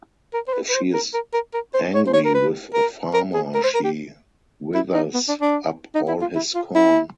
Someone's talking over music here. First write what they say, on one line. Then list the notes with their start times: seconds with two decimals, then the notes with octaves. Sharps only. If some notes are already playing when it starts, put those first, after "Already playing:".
If she is angry with a farmer, she withers up all his corn.
0.34 A#4
0.48 C5
0.53 B4
0.69 B4
0.75 C5
0.94 A#4
1.14 A#4
1.34 A#4
1.54 A#4
1.74 C5
1.95 C#5
2.07 C5
2.14 C#5
2.25 A#4
2.35 B4
2.74 A#4
3.14 A#4
3.34 G#4
3.55 A#4
3.64 C5
3.74 A#4
3.84 G4
4.74 E4
4.95 D#4
5.14 B3
5.29 D4
5.41 D4
5.95 D#4
6.08 E4
6.21 F4
6.35 E4
6.55 F4
6.75 E4